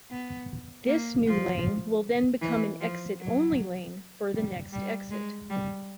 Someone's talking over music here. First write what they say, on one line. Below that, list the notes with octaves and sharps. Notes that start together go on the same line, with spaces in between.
This new lane will then become an Exit Only lane for the next exit.
B3
A#3
F3
E3
F3
F#3
G3
G3
G#3
G3